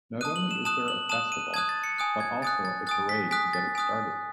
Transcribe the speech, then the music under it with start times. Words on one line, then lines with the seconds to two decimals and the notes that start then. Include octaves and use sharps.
Not only is there a festival, but also a parade to get it started.
0.21 A5 D#6 F#6 D#7
0.36 F#7
0.51 E7
0.65 A5 D#6 F#6 E7
0.88 F#7
1.09 A5 D#6 F#6 E7
1.32 D#7
1.54 A5 D#6 F#6 G#6
1.69 A6
1.84 C#7
1.98 G#5 D#6 F#6
2.20 G#6
2.42 G#5 D#6 F#6 A6
2.65 A6
2.87 G#5 D#6 F#6 A6
3.09 B6
3.31 G#5 D#6 F#6 B6
3.53 A6
3.75 G#5 D#6 F#6